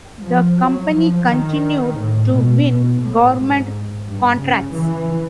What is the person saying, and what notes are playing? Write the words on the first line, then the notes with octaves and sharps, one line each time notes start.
The company continued to win government contracts.
F3
F#3
F3
D#3
A2
B2
B2
A2
G#2
G2
C#3
E3